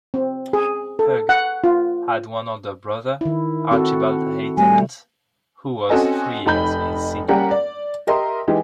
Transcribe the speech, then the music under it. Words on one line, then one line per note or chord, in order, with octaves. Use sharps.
Hugh had one older brother, Archibald Hay Tennent, who was three years his senior.
C4
G#4
A4
F#5
F4
D#3 E4
C4 F#4 A4
G3 A3 G#5
C4 C#4 F#4 A4 D#5 G#5
F1 D#4 B5 G6
G3 A#3 C#4 G4 A#4 F#5
D5
G4 A#4 D#5 E5 C6
E3 G#3 D#4 G4